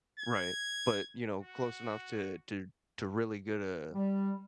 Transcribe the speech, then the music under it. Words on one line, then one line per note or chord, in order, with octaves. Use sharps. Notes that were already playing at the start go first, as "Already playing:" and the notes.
Right. But, you know, close enough to to to really get a
G#6
F#4
G3